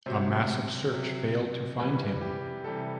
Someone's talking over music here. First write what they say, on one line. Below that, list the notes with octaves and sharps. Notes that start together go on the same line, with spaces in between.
A massive search failed to find him.
C3 F#3 C5
C3 F#3
C3 E3 G3 B4
G4
C3 E3 G3 A4